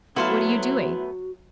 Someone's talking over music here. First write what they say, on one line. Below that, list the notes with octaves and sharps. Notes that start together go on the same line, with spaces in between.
'What are you doing?'
F#3 A3 B3 E4 F#4 C5 F5